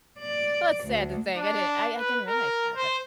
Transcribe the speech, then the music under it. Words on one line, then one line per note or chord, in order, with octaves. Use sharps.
it's sad to think, I didn't I I didn't realize that,
D5
D2
D4
B4
A#4
C5